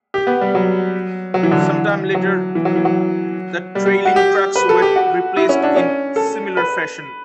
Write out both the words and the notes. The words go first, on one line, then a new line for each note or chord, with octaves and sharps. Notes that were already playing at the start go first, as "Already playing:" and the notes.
Some time later, the trailing trucks were replaced in similar fashion.
G4
B3
G3
F#3
F#3
E3
D3
E3
F#3
E3
F#3
E3
F#3
G3
G3
F#4
G4
B4
A4
G4
F#4
E4
C#4
D4
C#4
A4
B4